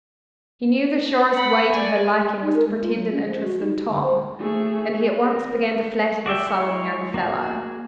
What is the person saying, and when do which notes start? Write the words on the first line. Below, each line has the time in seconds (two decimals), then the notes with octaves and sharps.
He knew the surest way to her liking was to pretend an interest in Tom, and he at once began to flatter the sullen young fellow.
1.32 F#5 B5
1.72 D5 G#5
2.42 D#4
2.55 A#4
2.67 G#3
2.81 F4
2.94 F#3
3.11 C#4
3.24 F3
3.42 F#4
3.59 D#4
3.75 G4
3.88 D3
4.02 C5
4.39 A3 G#4
5.17 A#4
6.26 F#4 D5 E5 G5
6.47 G#3 E4 C#5
7.14 A#3 F#4 G#4